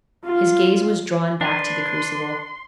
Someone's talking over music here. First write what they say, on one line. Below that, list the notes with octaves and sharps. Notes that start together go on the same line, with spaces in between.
His gaze was drawn back to the crucible.
F4
D4 B4 C6